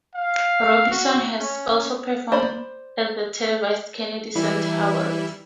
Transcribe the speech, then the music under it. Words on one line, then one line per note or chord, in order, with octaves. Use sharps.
Robinson has also performed at the televised Kennedy Center Awards.
F5
F#4
C#4
C5 D5 B5
E3 G3 E4